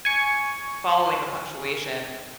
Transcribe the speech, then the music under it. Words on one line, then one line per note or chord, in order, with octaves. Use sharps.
following the punctuation,
G#5 C#6